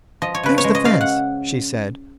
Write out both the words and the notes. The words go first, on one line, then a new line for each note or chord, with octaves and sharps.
"There's the fence," she said.
F3 D#5
C#5
C#3 B4
C#5
G#3
D#5
C#3 F5
F#5